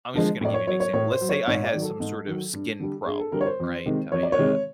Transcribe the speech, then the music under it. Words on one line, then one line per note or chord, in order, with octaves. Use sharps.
I'm just gonna give you an example, let's say I had some sort of skin problem, right? I, uh,
D3 F3 G#3
A2 D5
C#5
F#3 C#5
C#5
A2 C#5
C5
F#3
C#5
G#2 C#5
D5
D#3 F#3
A4
G#2
D#3 F#3
G2
D3 G3
G2 G#4
A4
D3 G3 A#4
C#5
C5
F2
C3 D#3 G#3
F2 C#5
D5
C#5
C3 D#3 G#3